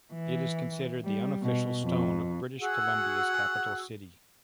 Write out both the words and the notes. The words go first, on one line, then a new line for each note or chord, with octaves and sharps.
It is considered the unofficial stone of British Columbia's capital city.
E3
G3
B2
F2
F#4 G#4 F#5 E6